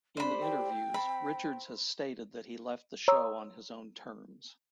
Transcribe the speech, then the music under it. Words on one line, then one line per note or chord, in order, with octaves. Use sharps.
In interviews, Richards has stated that he left the show on his own terms.
G3 A3 D4 G4 C5 B5
G5
C4 A5 B5
C#5 A#5 C6 C#6 D#6 E6